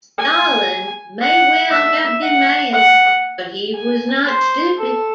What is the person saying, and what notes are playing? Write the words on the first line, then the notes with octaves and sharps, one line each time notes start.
Stalin may well have been mad but he was not stupid.
G#5
F#5
E5
F#5
F#5
G#5
C5
A4